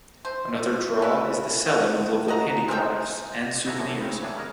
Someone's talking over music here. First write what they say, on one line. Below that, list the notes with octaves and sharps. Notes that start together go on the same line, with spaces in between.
Another draw is the selling of local handicrafts and souvenirs.
C5
C#4 E4 B4
D#5 F5 F#5
D#5 F#5 A#5
C4 G#4 A#4 G5
D#4 E4 F#4 G#4 A4 A#5
F#2 A2 D3 E3
C#3 C4 C#5
A2 E3 F#3 D4 G#4
C#3 G#3 C#4 A#4